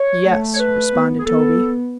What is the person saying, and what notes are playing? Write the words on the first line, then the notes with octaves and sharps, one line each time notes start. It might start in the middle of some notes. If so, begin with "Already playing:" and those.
"Yes," responded Toby.
Already playing: C#5
A3
C#5
B4
B3
G#4
B3 A4